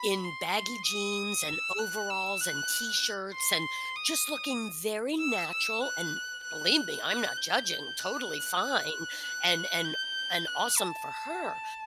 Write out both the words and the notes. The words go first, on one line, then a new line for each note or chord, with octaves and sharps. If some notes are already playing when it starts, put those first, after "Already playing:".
in baggy jeans, and overalls, and t-shirts, and just looking very natural and believe me, I'm not judging, totally fine and and and awesome for her,
Already playing: B5
C6
D#6
E6
F#6
E6
F#6
C6
D#6
E6
E6
F#6
F#6
F#6
G6
F#6
F#6
G6
F#6
A5